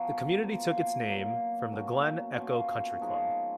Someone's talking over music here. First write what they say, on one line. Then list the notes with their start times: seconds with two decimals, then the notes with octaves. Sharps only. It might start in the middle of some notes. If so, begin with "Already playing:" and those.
The community took its name from the Glen Echo Country Club.
Already playing: F3 B3 F#4 A#4
0.43 F3 A#3 F4 A#4
1.08 F#3 A#3 F4
1.72 B2 A#3 C#4 F#4
2.37 B2 A#3 C#4 F4
3.01 F3 G#3 D#4 G#4